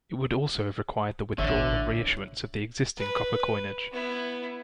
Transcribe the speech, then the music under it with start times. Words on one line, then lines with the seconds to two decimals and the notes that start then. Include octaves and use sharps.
It would also have required the withdrawal and reissuance of the existing copper coinage.
1.38 A1 D3 C#5 E5
2.97 B4
3.92 B3 E4